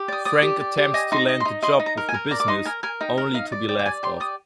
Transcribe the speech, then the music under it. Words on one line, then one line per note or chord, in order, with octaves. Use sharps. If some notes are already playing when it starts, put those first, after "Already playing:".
Frank attempts to land a job with the business, only to be laughed off.
Already playing: G4
D5 D#6
D5 D#6
G4
D5
G4
D#5 G#5
D#4 A#5 C6
D#5
C6
D#4
D#5 C6
D#4
A#5
A#4
G#5
A#4
D5 A#5
D6
D#4 C6
A#4 G#5
A#4 G#5
D#4 G5
A#4
D#4 F5
D5
D5 G5
G5
D5 G#5
G4 C6
D5 D#6